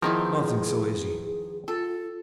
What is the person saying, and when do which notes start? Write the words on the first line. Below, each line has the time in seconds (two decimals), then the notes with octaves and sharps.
Nothing so easy!
0.02 D#3 F3 B3 D#4 E4 G#4 A#4
1.68 F4 A4